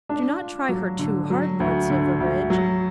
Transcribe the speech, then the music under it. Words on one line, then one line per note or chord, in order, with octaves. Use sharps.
Do not try her too hard, Lord Silverbridge.
D4
F4
F#3
D3
F#3
D2
D3
D2
F#3